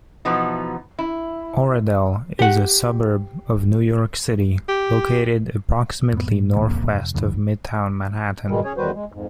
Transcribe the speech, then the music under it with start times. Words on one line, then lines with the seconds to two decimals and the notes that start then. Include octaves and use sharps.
Oradell is a suburb of New York City, located approximately northwest of Midtown Manhattan.
0.25 B2 E3 F3 B3 D#4
0.99 E4
2.39 G4 F#5
4.69 G4
6.13 F2 A2 B3
6.27 A2
6.56 C#2 A#2 D#3
6.68 D#1 A#1 F2 A#3
6.93 F1
7.14 C#2 F#2 D3 E3
8.48 B2 D#3 G3 G#3
8.64 C#4 G#4 C#5
8.77 E2 D#3 G3 F#4 B4 C5
8.93 G#3
9.12 F2 G#2